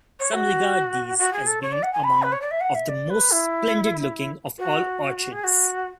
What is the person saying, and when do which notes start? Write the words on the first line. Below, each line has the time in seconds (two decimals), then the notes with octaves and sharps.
Some regard these as being among of the most splendid looking of all orchids.
0.20 C#5
0.33 F#4
1.19 F#4
1.33 G#4
1.47 A4
1.62 C#5
1.72 D5
1.83 F#5
1.93 G#5
2.04 B5
2.23 B4
2.32 C#5
2.41 D5
2.51 E5
2.61 F#5
2.75 E5
2.89 D5
3.10 B4
3.31 E4
4.59 F#4
5.32 G#4
5.44 F#4